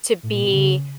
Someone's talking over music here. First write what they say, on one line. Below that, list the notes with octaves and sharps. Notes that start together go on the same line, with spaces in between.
to be
A2
A#2
B2
C#3